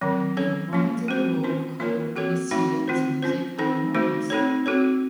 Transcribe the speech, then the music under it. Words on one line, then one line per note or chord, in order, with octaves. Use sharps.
The importance and the role of color in Messiaen’s music are enormous.
D#3 F#3 C4
C#4 A4 C#5
F3 A#3 C#4 F4
C4 F#4 C5
C#4 F4 C5
A#3 F4 A#4 C#5
C4 F#4 A4 C#5
F3 A3 C4 D#4 F#4
C4 F4 C5
C#4 F4 C5
C4 D#4 A4 C5
A3 D#4 F#4 C5
C4 D#4 A4 C#5
C4 F#4 A4 C#5